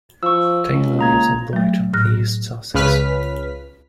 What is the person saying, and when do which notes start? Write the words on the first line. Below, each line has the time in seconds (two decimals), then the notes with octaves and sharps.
Taylor lives in Brighton, East Sussex.
0.23 F3 C#6 E6
0.74 C#2
0.99 A#3 A#5 G#6
1.53 F#3 A3
1.93 A2 F6 F#6 A#6
2.74 C#2 C#3 B4 F6 B6